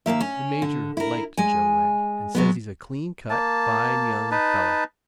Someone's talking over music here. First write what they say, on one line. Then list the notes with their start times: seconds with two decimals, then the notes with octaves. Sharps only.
The Major liked Joe Wegg, and says he's a clean-cut, fine young feller.
0.06 D#2 G#2 A#3 E5
0.20 C#4
0.62 D3
0.97 E4 A#4
1.37 G#3 G#5
2.35 F#3 G#3 B3
3.30 A#3 A5
4.31 D#4 B4 A5